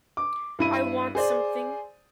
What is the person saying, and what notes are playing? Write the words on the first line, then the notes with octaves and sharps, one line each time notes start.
I want something.
D6
G2 E4 D#7
G#4 C5 D5